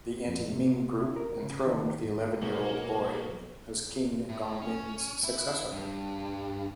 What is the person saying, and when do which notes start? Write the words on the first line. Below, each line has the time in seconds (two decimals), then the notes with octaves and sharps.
The anti-Ming group enthroned the eleven-year-old boy, as King Gongmin's successor.
0.28 F2
0.52 C3
1.00 E4
1.16 A#4
1.43 C#3
1.66 D#3
2.04 G#2
2.42 B1 A#3 C#5
4.29 A2
4.62 C#4
5.24 E4
5.72 G2